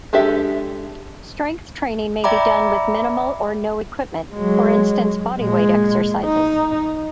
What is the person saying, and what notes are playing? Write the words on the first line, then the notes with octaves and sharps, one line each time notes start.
Strength training may be done with minimal or no equipment, for instance bodyweight exercises.
G#3 D4 G4 A4 E5
D5 E5 G5 A#5 B5 D6
F#3 G#3
A#2 G#3
D#4